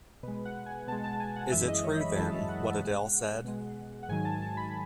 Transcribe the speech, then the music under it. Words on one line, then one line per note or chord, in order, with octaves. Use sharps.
Is it true, then, what Adele said?
B2 G#3 B4
F#5
G#5
B2 G#3 A5
A5
G#5
F#5
F#2 E3 G#3 E5
D#5
C#5
B5
F#2 E3 G#3 A5
F#5
E5
B2 G#3 F#5
B2 G#3
F#5
G#2 D#3 F#3 G#5
A5
A5
B5